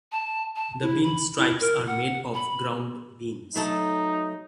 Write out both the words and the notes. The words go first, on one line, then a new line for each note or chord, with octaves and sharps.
The bean stripes are made of ground beans.
A5
A5
E4
B5
E4
A#4
F#5
B5
F#3 A3 D#4 A4